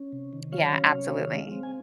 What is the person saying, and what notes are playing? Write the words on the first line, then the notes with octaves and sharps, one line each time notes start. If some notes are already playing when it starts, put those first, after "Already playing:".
Yeah, absolutely.
Already playing: C#4
C3
D#3
F#3 C#5 F5
C#4
C3
D#3
G#3
C4
G#5